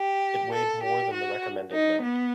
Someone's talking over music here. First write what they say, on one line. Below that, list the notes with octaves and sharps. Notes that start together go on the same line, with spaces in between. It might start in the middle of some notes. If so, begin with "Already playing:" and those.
It weighed more than the recommended limit.
Already playing: G4
A4
G4
F#4
D#4
B3